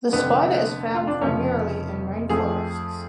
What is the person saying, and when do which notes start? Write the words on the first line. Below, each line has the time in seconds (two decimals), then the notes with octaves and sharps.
The spider is found primarily in rainforests.
0.12 F1 F2 D3 B3
0.95 F4
1.07 D4
1.20 F1 F2 C#3 F3 C#4
2.29 F2 F3 A3 G#4